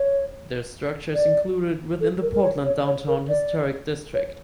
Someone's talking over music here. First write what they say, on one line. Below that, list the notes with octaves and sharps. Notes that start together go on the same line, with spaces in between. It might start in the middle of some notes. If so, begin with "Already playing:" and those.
The structure is included within the Portland Downtown Historic District.
Already playing: C#5
D5
A4
A#4
A#4
C#5
C#5
C#5
A#4
D5
C#5